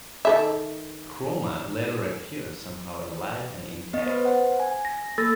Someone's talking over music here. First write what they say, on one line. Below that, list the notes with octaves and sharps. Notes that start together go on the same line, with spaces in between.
Chroma later appears somehow alive and intact.
D#3 A4 E5
B3 D#5
B4 C5
C5 F#5
G#5
A#6
A#3 A4 E6 A6 A#6